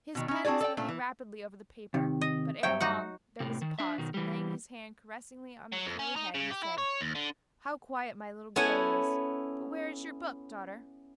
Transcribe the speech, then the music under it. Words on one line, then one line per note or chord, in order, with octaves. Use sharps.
His pen was moving rapidly over the paper, but ere long there was a pause, and laying his hand caressingly on the curly head, he said, "How quiet my little girl is; but where is your book, daughter?"
B2 D#3
C#4 D#4
C4 D4 F#4 G#4 D5
A4 D5 G5
A#2 A3 D4
E3
C3 D#3
D#5
G2 C3 F#3 C#5 E5 G5
D#4 F#4 F#5
A2 C3
D#3
D4 E5
B2 D#3
E3 G3
F#3
F2
C#4
D#4
C#3
G4
E4
C#5
D#2
D3
B3 C#4 E4 A4 F#5 G#5